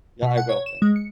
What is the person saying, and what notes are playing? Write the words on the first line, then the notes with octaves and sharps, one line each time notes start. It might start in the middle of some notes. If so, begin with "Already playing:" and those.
Yeah I will tha
B2
F#5
C#5
E7
G#3
C#7